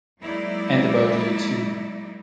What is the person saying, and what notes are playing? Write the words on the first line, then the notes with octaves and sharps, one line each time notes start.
And about you too!
F#3 G#3 A#3 D#4 E4 D5